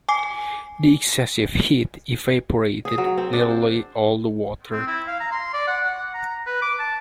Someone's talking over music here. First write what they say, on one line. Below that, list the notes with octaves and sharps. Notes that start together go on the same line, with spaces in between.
The excessive heat evaporated nearly all the water.
G#5 D6 C7
G#4
F#3
C4
D4
C5
C4
E4
F5
A#5
C6
D5
F#5
F#5
A#5
B4
D6
A5